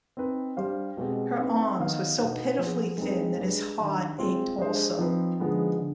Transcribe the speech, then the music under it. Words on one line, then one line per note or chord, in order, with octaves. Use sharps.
Her arms were so pitifully thin that his heart ached also.
C4 D#4 B4
G3 D4 G4 C5 F5
B2 G#3 C4 G4
C4 D#4 B4
D#3 B3 D#4 B4 F5
B2 B3 D#4
F3 B3 F4 G#4
G#3 C4 D#4 B4
G#3 D4 G4 B4
D#3 G3 D4
G#3 C4 F4 G#4 C5
G#3 D4 G4 C5 D#5
F3 C4 D#4 B4
D3 F3 G#3 B3 D#4
D3